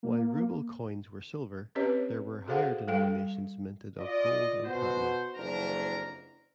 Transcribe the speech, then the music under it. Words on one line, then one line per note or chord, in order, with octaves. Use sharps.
While ruble coins were silver, there were higher denominations minted of gold and platinum.
A#3
C4 C#4 G4 B4 C#5 D#5
F#4 G#4 A4 C5 F5 F#5
G3 A4 F5 G5
F4 D5 D#5
B2 F#4 C5
F#1 F2 E3 D4 A#4 A#5